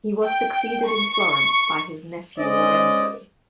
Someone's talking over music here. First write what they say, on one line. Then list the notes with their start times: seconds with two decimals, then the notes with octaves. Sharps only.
He was succeeded in Florence by his nephew Lorenzo.
0.25 G5
0.88 C#6
2.39 G#3 C#4 C5 D5 D#5